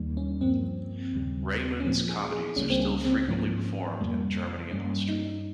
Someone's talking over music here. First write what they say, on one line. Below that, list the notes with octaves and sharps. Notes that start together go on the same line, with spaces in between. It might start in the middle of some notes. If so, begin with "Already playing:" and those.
Raimund's comedies are still frequently performed in Germany and Austria.
Already playing: D#2 D#3 G3 A#3
C#4
G2 F3 A#3 C4
D#2 C#3 G3
C#4
A#2 F3 A#3 C4
G#4
G#4
C#2 C#3 G3 A#3 C#4
C4
C#4
C4
C4
G#2 F3 A#3 C#4
F2 C3 G3 A#3
G2 G3 A#3 C#4
D#4